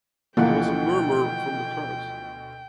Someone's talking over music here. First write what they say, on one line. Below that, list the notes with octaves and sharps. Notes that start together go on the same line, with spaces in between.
There was a murmur from the crowd.
D2 B2 E3 F3 A#3 F#5 G5